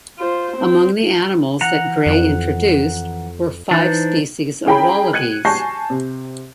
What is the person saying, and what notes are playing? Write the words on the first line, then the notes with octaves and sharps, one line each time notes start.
Among the animals that Grey introduced were five species of wallabies.
F4 C5
C4
E3 F#5 A#5
F2
E3 D4 D#4 C5
C#4 E4 G#4 G5 A#5 B5
F#6 G#6 C#7 D#7 F#7
G#5 A5 C#6 G6 A#6 C7
C3